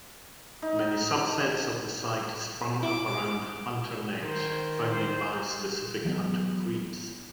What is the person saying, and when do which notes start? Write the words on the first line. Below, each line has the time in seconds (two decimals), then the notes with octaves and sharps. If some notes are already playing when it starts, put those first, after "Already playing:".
Many subsets of the site sprung up around Hunter-net, founded by specific hunter creeds.
0.62 D#4
2.83 E4 D6
4.22 D#3 C5
4.86 C5
6.05 E3 F#3 A3 B3